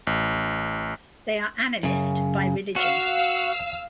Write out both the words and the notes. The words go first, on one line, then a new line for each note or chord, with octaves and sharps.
They are Animist by religion.
A1
F#2 C#3
F#4 F5 E6